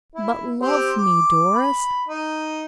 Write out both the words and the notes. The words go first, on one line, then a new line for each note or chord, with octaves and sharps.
But love me, Doris.
E4
C4 G4
D6
B5
D#4